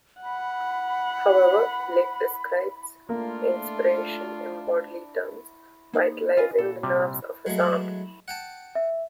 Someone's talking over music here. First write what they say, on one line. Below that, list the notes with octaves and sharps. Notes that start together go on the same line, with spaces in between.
However, Blake describes inspiration in bodily terms, vitalising the nerves of his arm.
F#5 B5
A3 A#3 D4 F4
A#3 D#4 G#4
F4 B4 D#5 G#5
A#2 A4
C3 G3
F#3 G#3 A3
F#5 G5 A5
E5